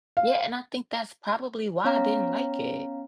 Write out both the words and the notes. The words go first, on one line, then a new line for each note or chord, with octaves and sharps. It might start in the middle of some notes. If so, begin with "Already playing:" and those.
Yeah, and I think that's probably why I didn't like it.
F5
B3 C#4 C#5 F5 A#5